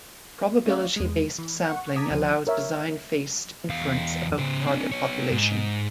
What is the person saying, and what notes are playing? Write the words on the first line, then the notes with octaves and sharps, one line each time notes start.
Probability-based sampling allows design-based inference about the target population.
A3 C#4 C#5 D5 F5
E2 G#3
E3
F#5 C#6
A5 A#5 D6 D#6 G#6 B6
D2 C#3 F3 D#7
A#4 C#5 E5
E2 F5
C#3 C5
C4 D4
B3 C#5
G#2